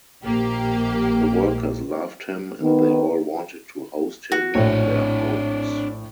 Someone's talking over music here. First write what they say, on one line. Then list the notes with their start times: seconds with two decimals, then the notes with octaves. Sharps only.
The workers loved him and they all wanted to host him in their homes.
0.23 A#1 A#3 G4
2.61 D#3 B3
4.32 F#4
4.55 A#1 A2 D4 C#5